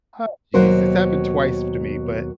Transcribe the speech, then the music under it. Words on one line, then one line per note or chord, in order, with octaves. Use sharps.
"Oh, jeez," it's happened twice to me, but
D#2 B2 F#3 A#4 C5